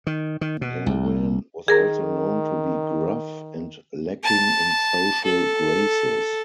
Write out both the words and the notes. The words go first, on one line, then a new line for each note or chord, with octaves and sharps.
Marwan was also known to be gruff and lacking in social graces.
D#3
D#3
B2
C2
D#3 G#4 A#4 A#5
A5
A4